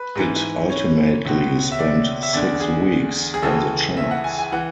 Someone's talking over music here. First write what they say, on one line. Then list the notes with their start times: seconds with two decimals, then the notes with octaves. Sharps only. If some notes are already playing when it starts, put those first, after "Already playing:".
It ultimately spent six weeks on the charts.
Already playing: B4
0.15 G#2 E3
0.70 C#5
1.25 C#2 B2
1.72 E5
1.80 D5
2.23 E5
2.33 E2 D3 D5
2.60 G#4
3.34 G#4
3.42 C#2 C#3 E3 A4
3.97 E5
4.11 F#5
4.24 G#5
4.39 G#5
4.52 E3 F#5